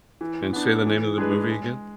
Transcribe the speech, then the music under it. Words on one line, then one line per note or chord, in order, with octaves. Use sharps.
And say the name of the movie again.
E3
B3 D4
E3
G#3 D4 G#4 B4
G#3